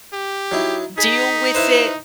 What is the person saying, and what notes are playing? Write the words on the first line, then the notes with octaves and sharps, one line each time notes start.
deal with it,
G4
F#3 D#4 E4
D#4 G#4 B6
E4 B4 C5 E7